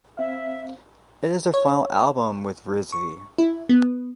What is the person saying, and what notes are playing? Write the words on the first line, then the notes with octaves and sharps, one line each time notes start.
It is their final album with Rizvi.
C4 E5 F5
C#5
C#6
E4
B3